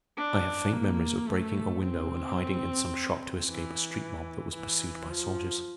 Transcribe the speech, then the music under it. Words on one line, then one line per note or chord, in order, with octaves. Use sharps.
I have faint memories of breaking a window and hiding in some shop to escape a street mob that was pursued by soldiers.
D4
A#3
A3
C4
E3
E3
F3